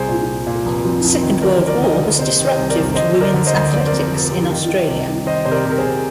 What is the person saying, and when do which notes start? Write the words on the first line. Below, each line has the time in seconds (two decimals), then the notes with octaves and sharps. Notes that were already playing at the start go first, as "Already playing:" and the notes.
The second World War was disruptive to women's athletics in Australia.
Already playing: C2 G#4 C5
0.08 A#2
0.27 C2
0.47 A#2
0.65 F1
0.85 F2
1.04 F1
1.22 D#3
1.41 D2 A#4 D5
1.62 D3
1.67 A#4 D5
1.81 D2 D#5
1.93 A#4 D5
2.00 D2
2.19 C3 C5 D#5
2.39 D#3
2.45 C5 D#5
2.57 C2
2.70 A#4 D5
2.77 C2
2.95 D3 C5 D#5
3.14 D3
3.21 A#4 D5
3.34 D3
3.46 C5 D#5
3.54 D2
3.73 F2 D5
3.80 C5
3.86 A#4 D5
3.92 F2
4.11 F1
4.30 C3
4.50 D#3
4.69 D#3
4.88 C2
5.07 C2
5.26 D#3 C5 D#5
5.45 C3 C5
5.51 A#4 D5
5.65 C3
5.72 A#4
5.78 G#4 C5
5.85 C3